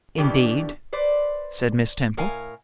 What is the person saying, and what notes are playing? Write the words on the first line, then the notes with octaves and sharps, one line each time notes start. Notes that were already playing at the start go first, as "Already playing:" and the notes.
'Indeed!' said Miss Temple.
B2 D#3 E3 A#3 D4 G4
B4 C5 D5
A2 A#4 F5 G#5